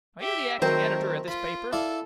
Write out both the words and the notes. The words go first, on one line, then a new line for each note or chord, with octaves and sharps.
"Are you the acting editor of this paper?"
G4 E5
D#3 F#3 A3 C4 A#4 C5
F4 B5
E4 A4 D5 F5